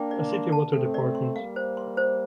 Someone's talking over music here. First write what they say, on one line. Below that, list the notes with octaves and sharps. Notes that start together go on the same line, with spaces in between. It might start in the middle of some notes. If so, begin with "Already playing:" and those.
A City Water Dept.
Already playing: A#3 D4 G5
D5
C6
A5
A3 C4 A4
D5
C6
G3 A#3 F5
C5
C6
C5